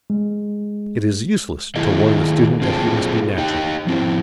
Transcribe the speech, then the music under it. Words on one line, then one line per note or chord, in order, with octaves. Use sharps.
It is useless to warn the student that he must be natural.
G#3
D#3 A3 E4 F4 G#4 D#5
A#2 C4 F4 G#4 A4
D#4 G4 D#5 G5
F3 C4 E4